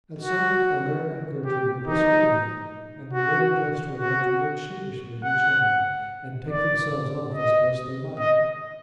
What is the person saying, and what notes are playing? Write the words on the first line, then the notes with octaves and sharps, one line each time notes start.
And so Alaric and Gertrude were whisked away, and the wedding guests were left to look sheepish at each other, and take themselves off as best they might.
F#4
G4
D#4
F#4
F#4
F#5
D5
D#5
D#5